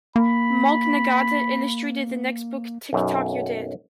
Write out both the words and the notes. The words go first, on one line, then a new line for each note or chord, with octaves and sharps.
Mark Nagata illustrated the next book, Tick Tock, You're Dead!
A#3 B5
B1 F#2